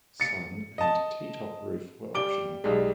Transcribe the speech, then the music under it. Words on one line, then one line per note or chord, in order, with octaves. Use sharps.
Sun and T Top roof were optional.
A6 C#7
D#5 A5
G3 D6 D7 G7
B1 G3 G#3